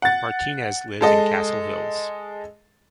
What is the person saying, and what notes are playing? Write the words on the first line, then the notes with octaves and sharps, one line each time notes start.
Martinez lives in Castle Hills.
F#5 A6
G#3 A4 D#5